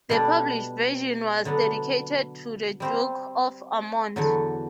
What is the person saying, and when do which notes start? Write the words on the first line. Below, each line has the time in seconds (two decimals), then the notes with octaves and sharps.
The published version was dedicated to the Duke of Ormonde.
0.09 B2 G3 D4 A4 D5
1.45 D3 F#3 B3 D4
2.80 G3 C4 G4 C5
4.16 E2 D3 F#3